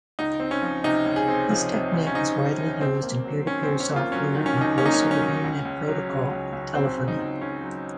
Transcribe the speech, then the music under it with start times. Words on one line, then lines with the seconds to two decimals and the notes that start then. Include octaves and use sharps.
This technique is widely used in peer-to-peer software and Voice over Internet Protocol telephony.
0.19 C#2 D#4
0.40 C4
0.51 C#4
0.63 F3
0.84 C3 D#4
1.06 C#2
1.16 G#4
1.28 C4
1.50 F3
1.72 C3
1.94 C#2
2.07 C#4
2.15 C4 D#4
2.37 F3
2.58 C3
2.80 D#2 C4
3.02 A#3
3.25 F#3
3.46 D#3 C#4
3.63 D#2 C4
3.80 C#4
3.90 A#3
3.96 F4
4.12 F#3 C#4
4.35 D#3
4.46 C#4
4.57 D#2 D#4
4.78 A#3 C#4
4.86 D#4
4.94 C#4
5.00 F#3
5.11 C#4
5.22 D#3
5.44 C#2
5.65 C#2
5.87 F#3
6.09 C#3
6.31 C#2
6.53 C#2
6.75 F#3 C4
6.97 C#3
7.08 D#4
7.19 C#2
7.41 C#2 C#4
7.62 F#3